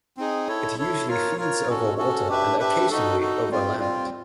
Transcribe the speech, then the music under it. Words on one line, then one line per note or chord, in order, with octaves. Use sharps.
It usually feeds over water and occasionally over land.
C4 D#4 G#4
E4 A4 C#5
E4 A4 C#5
F4 A#4 C#5
F4 A#4 C#5
C#4 F#4 A4
C#4 F#4 A4
D4 G4 B4 E5
D4 G4 B4 E5
D#4 F#4 A4
D#4 F#4 A4
G3 C4 F4
G3 C4 F4